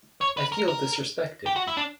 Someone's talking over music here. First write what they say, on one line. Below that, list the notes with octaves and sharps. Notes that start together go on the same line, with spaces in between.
I feel disrespected.
C#5
B4
A#4
A#4
G4
F#4
E4
D4